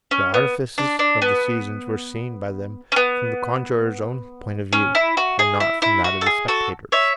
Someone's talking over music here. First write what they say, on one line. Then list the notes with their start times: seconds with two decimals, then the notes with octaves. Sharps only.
The artifices of the seasons were seen by them from the conjuror's own point of view, and not from that of the spectator's.
0.11 C#4
0.34 B3
0.78 D4
0.99 D4
1.22 B3
2.92 C#4
2.96 B3
4.73 C#4
4.95 E4
5.17 F#4
5.39 G#4
5.60 E4
5.82 E4
6.04 F#4
6.21 A4
6.26 G#4
6.48 F#4 A4
6.92 C#5 E5